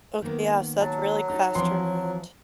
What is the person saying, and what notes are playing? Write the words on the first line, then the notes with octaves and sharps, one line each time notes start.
Ok yeah, so that's a really fast turnaround.
D#3 A#3 B3
F#3 A5
D#4 A4
E3 F3 C4 C6